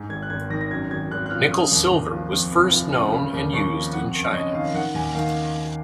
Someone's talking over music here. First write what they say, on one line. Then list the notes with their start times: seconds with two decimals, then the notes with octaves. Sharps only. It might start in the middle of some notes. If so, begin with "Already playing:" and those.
Nickel silver was first known and used in China.
Already playing: G#2
0.09 G#1 G#6
0.22 F#6
0.30 G#1 G#6
0.50 D#3 A#6
0.61 A#6
0.70 F#2 G#6
0.91 G#1 G#6
1.11 G#1 F#6
1.26 F#6
1.31 F3 F6
1.51 C#3 D#6
1.72 D#2
1.92 D#2
2.12 F3
2.32 F2
2.52 F1
2.72 F3
2.93 C#3
3.12 C#3 B5
3.33 D#2
3.53 D#2 C#6
3.74 F3
3.93 F2 F#5
4.15 F#1
4.27 C#5
4.34 F#1 D#5
4.54 D#3 F5
4.74 D#3 F#5
4.94 D#2 G#5
5.15 D#3 F5